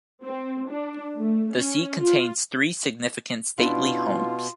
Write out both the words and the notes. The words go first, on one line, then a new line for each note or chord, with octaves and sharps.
The seat contains three significant stately homes.
C4
D4
A3
C#4
F4
B2 C#4 D4 E4 F4 C6